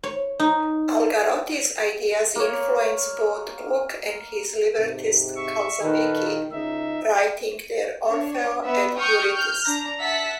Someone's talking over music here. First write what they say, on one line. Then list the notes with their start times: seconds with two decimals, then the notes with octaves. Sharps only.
Algarotti's ideas influenced both Gluck and his librettist Calzabigi, writing their Orfeo ed Euridice.
0.03 C#5
0.40 D#4
2.36 A#3 C#5
4.78 G#2 C3
5.36 E5 C#6
5.83 A#2 D#3 D#4 A4 B4
6.51 C#2 D#4 E5
8.05 D4 C#5
8.64 B3 E5
8.96 G5 C#6 D#6 F6 G6
9.34 F6 G6
9.66 D4 A#5
10.01 E5 F#5 A5 B6